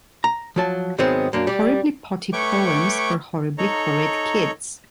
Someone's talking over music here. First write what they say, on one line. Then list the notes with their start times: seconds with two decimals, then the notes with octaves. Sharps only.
Horribly Potty Poems for Horribly Horrid Kids.
0.24 A#5
0.56 F3 F#3 A5
0.98 G#2 D#3 F#3 G#3 B3 C4
1.33 F#2 A#3 D4
1.47 G3 D5
2.33 A3 B4 C#5 G5 C#6 D6
3.58 D#4 A4 C#5 A#5